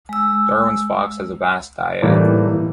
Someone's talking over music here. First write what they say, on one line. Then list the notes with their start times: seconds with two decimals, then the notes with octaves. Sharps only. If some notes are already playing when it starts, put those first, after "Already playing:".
Darwin's fox has a vast diet.
0.09 G#3 E6
2.02 A2 E3 G3 A#3 D#4